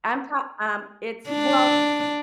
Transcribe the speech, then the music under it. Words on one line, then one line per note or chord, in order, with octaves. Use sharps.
I'm talk um, it's well,
D4